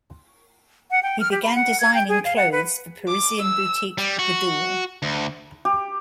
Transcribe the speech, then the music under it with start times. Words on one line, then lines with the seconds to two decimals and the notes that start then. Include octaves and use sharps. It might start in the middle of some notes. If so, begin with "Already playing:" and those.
He began designing clothes for Parisian boutique, Gudule.
0.91 F#5
1.03 G5
1.20 F6
1.31 G4
1.43 B5
1.55 F#5
1.80 G#6
1.95 G5
2.09 G#4
2.25 F5
2.37 F#5
2.52 B4
3.08 D6
3.42 E6
3.98 G3
4.19 F#4
5.03 D2
5.65 G4